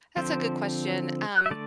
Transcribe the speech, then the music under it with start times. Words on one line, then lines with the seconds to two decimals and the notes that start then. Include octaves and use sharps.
That's a good question, um
0.17 D3 F3 C4 C5
1.46 E5
1.51 D3 A3 D5